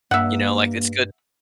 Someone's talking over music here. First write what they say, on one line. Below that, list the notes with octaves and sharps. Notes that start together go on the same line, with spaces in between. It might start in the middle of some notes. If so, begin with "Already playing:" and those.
you know, like, it's good
G2 A#3 E5 F#5